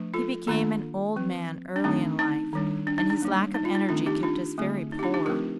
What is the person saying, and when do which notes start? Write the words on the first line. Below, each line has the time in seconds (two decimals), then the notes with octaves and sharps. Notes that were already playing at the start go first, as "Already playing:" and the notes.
He became an old man early in life, and his lack of energy kept us very poor.
Already playing: F3 A3 D4
0.14 F4 A4
0.47 D#3 A#3 D4 F4 A4
1.16 F3 C4
1.76 D4
1.84 D#3 A3 C4 D#4
2.19 D#4
2.53 D#3 G3 D4
2.87 D4
2.98 D#4
3.10 D4
3.21 G3 A#3 D4
3.55 D#4
3.65 F4
3.75 D#4
3.89 D#3 A3 C4 D4 F4
4.06 D#4 G4
4.23 D4 F4
4.58 D3 A3 C4
4.92 D#4
4.99 G4
5.03 D4 F4
5.14 D#4 G4
5.26 F3 A3 C4 G4 A#4